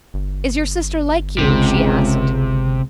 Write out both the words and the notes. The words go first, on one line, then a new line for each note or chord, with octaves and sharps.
"Is your sister like you?" she asked.
G1
C#2 C3